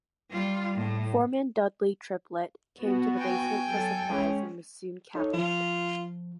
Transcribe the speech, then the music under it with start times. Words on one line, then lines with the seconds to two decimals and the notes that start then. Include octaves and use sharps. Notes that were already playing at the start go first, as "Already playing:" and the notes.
Foreman Dudley Triplett came to the basement for supplies and was soon captured.
0.30 G3 F4
0.75 A2
2.80 B3 F#4
3.18 G5 G#5
3.68 F#3 A4
4.09 G#3 C#4 G#4
5.15 D#4 A4 C#5
5.34 F3 F4